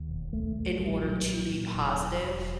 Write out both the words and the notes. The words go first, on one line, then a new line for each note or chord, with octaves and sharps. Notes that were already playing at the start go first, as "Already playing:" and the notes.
in order to be positive,
Already playing: D#2
E1
B1 A3
B1 A3
A#2 G3
B1 F#3
A#2
A#2
E1
E1
E1